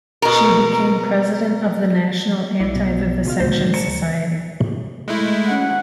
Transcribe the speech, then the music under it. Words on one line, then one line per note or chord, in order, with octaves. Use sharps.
She became president of the National Anti-Vivisection Society.
B2 A#4
B1 E4 D5
B2
C#2 C#3 F4 F5
G#1 D2 A#2 C5
A5 A#5 C#7
G#3 A3 E4
C#4 F#5